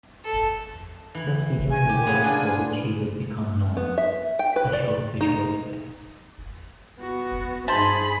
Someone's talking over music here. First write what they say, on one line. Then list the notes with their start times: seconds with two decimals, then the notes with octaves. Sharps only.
Thus began the work for which he would become known-special visual effects.
0.25 A4
1.15 E3 B5
1.70 G#5
1.89 G4
2.06 C#3 B3 G#4
2.24 D4 F4
3.77 B3
3.98 E5
4.39 G5
4.56 B4
4.73 D5
5.21 D#4
7.00 B3 F#4
7.68 G2 D#4 G#4 C5 A5 B5